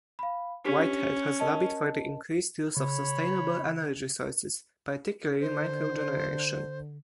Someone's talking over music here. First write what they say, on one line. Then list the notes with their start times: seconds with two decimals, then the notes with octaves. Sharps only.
Whitehead has lobbied for the increased use of sustainable energy sources, particularly microgeneration.
0.19 F5 B5
0.65 C#4 D4 G4 B6
1.40 A#4 D#5 A5
2.77 C#3 C#5 B5
5.41 D3 C5